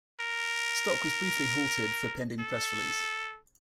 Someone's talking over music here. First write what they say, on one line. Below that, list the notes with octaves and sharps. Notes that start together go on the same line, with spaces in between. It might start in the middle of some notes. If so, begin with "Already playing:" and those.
Stock was briefly halted for pending press release.
A#4
A4